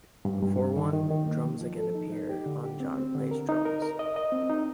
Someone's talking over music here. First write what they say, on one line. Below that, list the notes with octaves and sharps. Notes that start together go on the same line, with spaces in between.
For one, drums again appear on John Plays Drums.
G2
G2
G2
D#3
D#3
D#3
A#3
F3
F3
A4
D#4
D#4
G4
D3
G4
C4
C4
D3
A#4
D#4
A#4
A#4
D#5
D#5
C4
D#4